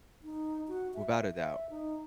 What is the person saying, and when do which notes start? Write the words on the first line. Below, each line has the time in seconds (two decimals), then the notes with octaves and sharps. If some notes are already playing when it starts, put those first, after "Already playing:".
Without a doubt.
0.23 D#4
0.68 F#4
0.94 E5
1.38 E5
1.70 D#4